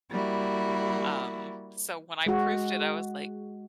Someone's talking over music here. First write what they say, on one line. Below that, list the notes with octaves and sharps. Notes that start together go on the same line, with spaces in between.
um, so when I proofed it, I was like,
G3 A#3 E4 F#4
G#3 F#4